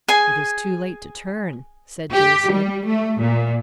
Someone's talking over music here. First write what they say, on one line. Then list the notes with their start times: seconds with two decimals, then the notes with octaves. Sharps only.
"It is too late to turn," said Jason.
0.08 G#4 G#5
2.15 G4
2.52 G3
2.87 A3
3.21 A#2